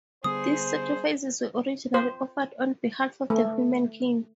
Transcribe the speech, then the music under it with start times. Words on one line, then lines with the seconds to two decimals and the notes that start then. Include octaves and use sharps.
These sacrifices were originally offered on behalf of the human king.
0.24 D3 G3 B3 G#4 C5 D#6
1.94 C5
3.30 A3